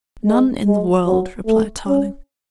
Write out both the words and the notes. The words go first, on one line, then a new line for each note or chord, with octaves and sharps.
"None in the world," replied Tarling.
G#3
G#3
F#3
A3
C#4